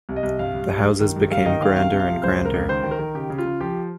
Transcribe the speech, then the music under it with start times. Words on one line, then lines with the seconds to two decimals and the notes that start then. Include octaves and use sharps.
The houses became grander and grander.
0.09 C2
0.16 D#5
0.23 C2
0.39 G2 F5
0.54 G2
0.70 G2
0.85 G2
1.00 D#3
1.16 G2
1.31 G2 F5
1.46 D#3 D#5
1.61 D#3 F5
1.76 C3 F5
1.93 C3
2.00 F5
2.07 F3
2.23 C#2 C5
2.38 C#2
2.45 A#4
2.54 C#2
2.69 D#3 C5
2.84 D#3
2.91 A#4
2.99 D#3
3.15 C#3 G4
3.30 C#3
3.38 F4
3.45 C#3
3.61 F3 G4